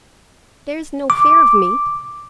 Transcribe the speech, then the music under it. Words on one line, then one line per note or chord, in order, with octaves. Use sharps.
There's no fear of me.
D6